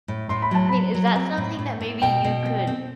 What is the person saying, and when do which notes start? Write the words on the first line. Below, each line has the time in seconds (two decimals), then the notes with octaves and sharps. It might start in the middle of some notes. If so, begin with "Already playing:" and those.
I mean, is that something that maybe you could
0.08 A2
0.29 A2 C6
0.42 B5
0.51 F#3 A5
0.69 F#3 B5
0.94 F#3
1.16 C4
1.37 A2
1.59 A2
1.81 A2
2.02 B2 G5
2.24 B2
2.45 C4
2.67 C4